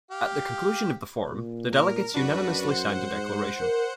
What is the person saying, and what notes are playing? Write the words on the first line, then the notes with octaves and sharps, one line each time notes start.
At the conclusion of the forum, the delegates unanimously signed a declaration.
G4 F5
A#2
A#4
F#2 D4 F#4 B4
C5 F#5
G#2
A#4